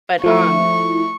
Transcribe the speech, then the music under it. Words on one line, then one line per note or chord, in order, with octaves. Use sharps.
But, um
F3 A3 E4 C#6